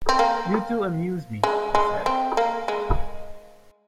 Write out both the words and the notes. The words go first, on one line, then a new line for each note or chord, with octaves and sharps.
"You two amuse me," he said.
C4
A#3
G#3
G#3
C4
A#3
G#3